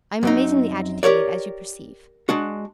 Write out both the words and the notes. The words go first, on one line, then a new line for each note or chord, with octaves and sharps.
I am amazingly agitated, as you perceive.
F#2 C4 D#4
G4 A#4 C#5 D5
G#3 D4 F#4